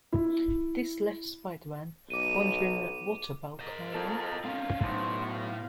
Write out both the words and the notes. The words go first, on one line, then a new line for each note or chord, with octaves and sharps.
This left Spider-Man wondering What about Carrion?
E4
B1 D6 D#7
A#4 C5 D#5
F4 A4
C4 C#4 F5
B1 A2 C5
F5